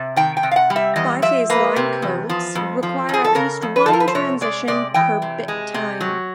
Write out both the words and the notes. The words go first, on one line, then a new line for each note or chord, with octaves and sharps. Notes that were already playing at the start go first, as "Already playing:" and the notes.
Biphase line codes require at least one transition per bit time.
Already playing: C3
D#3 G5
G5
C3
F5
F#5
G3
E5
E2 D#5
F3 E5
A#3 B4
C3
E2
F3
F2
F3
F2 G#4
A4
C#3 A#4
F2
B4
F3 A4
A#4
B4
C5
C3 C#5
G#3 D5
C3 D5
E3 G5
C3
G#3
C3
F#3